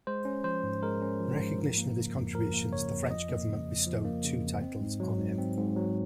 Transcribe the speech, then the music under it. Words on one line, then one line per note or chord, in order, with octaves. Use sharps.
In recognition of his contributions the French government bestowed two titles on him.
G#3 C5
C#4
F3 C5
G#2
G#3 A#4
C#4
F3
G#2
F3
A#3
C#3
F2
F3 A#4
A#3
C#3 C#5
F2
F3 D#5
A#3
C#3
F2
F3
A#3
C#3
F2
C4
G#2
F#3
G#2
C4
G#2
F#3